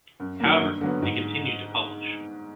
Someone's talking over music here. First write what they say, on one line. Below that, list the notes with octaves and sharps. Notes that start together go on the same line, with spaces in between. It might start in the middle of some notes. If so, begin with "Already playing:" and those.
However, it continued to publish.
F#2
D#3 F#3 A#3
G2
D3 F#3 B3
G#2